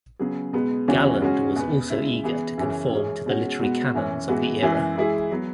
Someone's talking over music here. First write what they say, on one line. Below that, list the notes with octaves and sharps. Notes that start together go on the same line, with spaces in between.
Galland was also eager to conform to the literary canons of the era.
C#3 F#3 B3 G#4
B2 G#3 B3
E2 C#3 E3 C#4 F#4
C#3 G#3 C#4 F#4
E2 B2 B3
C#3 G#3 E4
E3 B3 G#4
F#2 C#3 E3 C#4 G#4
F#2 E3 G#3 C#4 G#4
B2 G#3 C#4 F#4
B2 G#3 B3 F#4
F#2 E3 C#4
E3 G#3 B3 F#4
F#2 E3 G#3 E4 G#4
E3 G#3 E4 G#4
F#3 B3